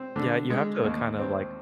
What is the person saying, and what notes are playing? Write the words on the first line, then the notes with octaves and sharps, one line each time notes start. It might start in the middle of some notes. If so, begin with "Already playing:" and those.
Yeah, you have to kinda, like
Already playing: C4
D3
G#3
D#2
C4